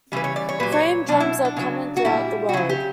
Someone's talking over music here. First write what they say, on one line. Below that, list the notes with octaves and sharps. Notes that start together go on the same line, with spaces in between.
Frame drums are common throughout the world.
C#3 E3 G3 B4
C#5
D5
C#5
A#2 F#3 B4
C#5
B2 F#3 D4
E4
D4
C#3 F#3
F#4
A#2 G3 E4
F#4
C#3 F#3 E4
G4